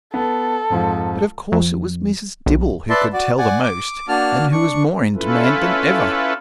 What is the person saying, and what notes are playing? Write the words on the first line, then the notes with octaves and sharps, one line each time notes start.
But, of course, it was Mrs. Dibble who could tell the most, and who was more in demand than ever.
B3 A4
F2 G#2 F3
F2
B1
B4 D5 E5 A5 C6
F#4 D5
D5 F#5 G#5
D6
A#3 D4 F#4 A5 F6
D4 C#6
C#4 E4 F4 A4 B4